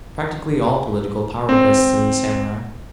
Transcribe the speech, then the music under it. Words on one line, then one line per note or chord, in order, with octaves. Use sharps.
Practically all political power vests in the samurai.
C4